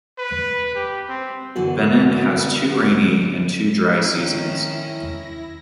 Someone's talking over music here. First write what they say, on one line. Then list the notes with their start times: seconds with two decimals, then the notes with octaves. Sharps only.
Benin has two rainy and two dry seasons.
0.18 B4
0.75 G4
1.09 C4
1.56 F#2 D3 E3 B3 F#4
4.10 D#3 C#4 E4 A#6